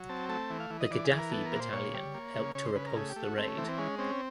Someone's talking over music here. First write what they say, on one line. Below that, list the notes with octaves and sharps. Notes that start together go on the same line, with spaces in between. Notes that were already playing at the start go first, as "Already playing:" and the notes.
The Gaddafi Battalion helped to repulse the raid.
Already playing: F#3
C4 A5
A3 A5
E3
F5
E3
D#5
E3 D5
G#4
E3
A#4
B3 A4
A#4
A#2
C5
A#2 C#5
G3
A#3
C#3
C#3 C#5
C5
C#3 B4
A#4
A3 G#4
G4
A3
F#4
A3 C4
C#4
E3 C4
C4
G#3 C#4
C4 C#4